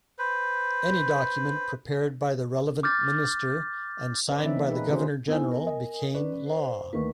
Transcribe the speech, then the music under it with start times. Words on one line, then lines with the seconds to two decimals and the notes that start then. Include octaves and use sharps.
Any document prepared by the relevant Minister and signed by the Governor-General became law.
0.19 B4 C5
2.83 D6 F6 G6 A6
4.29 C#4 B4 D5
4.44 E3 C4 D#4 E5
4.57 A#3
4.70 D#4 G#4 B4
4.89 C3 D#3 C#4 F#4 G#4 C5
5.28 B3 D#4 E4 C5 G#5
5.52 A#4 G#5
5.67 D#5
6.14 C#4 B4 D5
6.46 C5
6.93 D2 D#3 A#3 B4 C#6